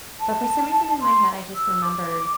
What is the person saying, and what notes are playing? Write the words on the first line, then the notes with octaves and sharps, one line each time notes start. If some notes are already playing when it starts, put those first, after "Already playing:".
but for some reason in my head, I just remembered,
A5
C6
E6
D6